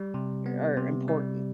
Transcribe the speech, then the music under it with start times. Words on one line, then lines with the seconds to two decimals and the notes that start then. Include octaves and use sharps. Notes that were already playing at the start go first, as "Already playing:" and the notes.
are important
Already playing: G3
0.14 C3
0.46 B3
0.77 C3
1.08 G3